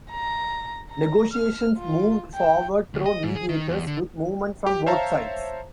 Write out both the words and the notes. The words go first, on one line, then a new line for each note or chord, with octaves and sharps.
Negotiations moved forward through mediators, with movement from both sides.
A#5
A#5
F6
F4
G5
D2
D#5
G#2
G#4
D#3
E2
D3
G4
C5 C#5 E5 F5 A5 A#5